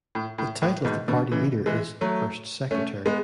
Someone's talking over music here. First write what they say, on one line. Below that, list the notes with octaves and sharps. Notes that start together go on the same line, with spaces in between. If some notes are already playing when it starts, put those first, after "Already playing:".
The title of the party leader is First Secretary.
A2
A2
A2
G#2 B2
B2 D3
C#3 E3
E3 G#3
F#3 A3
A3 C#4
G#3 B3